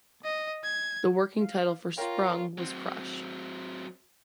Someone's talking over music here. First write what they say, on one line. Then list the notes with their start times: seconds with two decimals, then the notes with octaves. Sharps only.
The working title for "Sprung" was Crush.
0.24 D#5
0.64 G#6
1.40 F5
1.98 F4 A#4 C#5 G5 A#5
2.58 F#3 C4